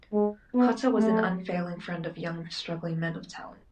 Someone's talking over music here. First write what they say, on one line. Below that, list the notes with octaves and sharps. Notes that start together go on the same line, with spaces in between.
Cotta was an unfailing friend of young struggling men of talent.
G#3
B3
A3